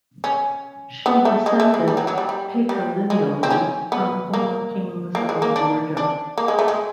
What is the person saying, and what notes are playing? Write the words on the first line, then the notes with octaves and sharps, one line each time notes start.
She descended patrilineally from former Kings of Georgia.
C#4
B3
A3
G#3
A3
G#3
G3
F#3
F#3
G3
G3
G3
G#3
C4
C#4
B3
A#3
A#3
G#3
A#3
D4
D4
A#3
G#3
A3
G#3